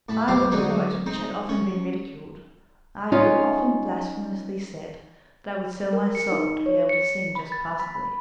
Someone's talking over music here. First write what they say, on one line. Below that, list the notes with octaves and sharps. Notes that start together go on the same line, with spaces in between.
I with the voice which had often been ridiculed; I who had often blasphemously said that I would sell my soul to be able to sing just passably.
A2 A5 B5
B1 F3 G4 C5 F5
D3 F#3 G#3 C4 D#4
C4 D#4
C#4
C#4 D#4 F4
A#4
C#7
D#4
C#5
C#7
B5
A6
B5